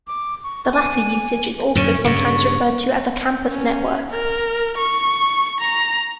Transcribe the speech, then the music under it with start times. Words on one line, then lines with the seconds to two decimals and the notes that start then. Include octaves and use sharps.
The latter usage is also sometimes referred to as a campus network.
0.07 D6
0.43 C#6
0.71 G#5
1.75 F#2 A#2 D3 C#4
2.04 G2 C#3 C#6
3.47 C#4
4.11 A#4
4.78 C#6
5.60 A#5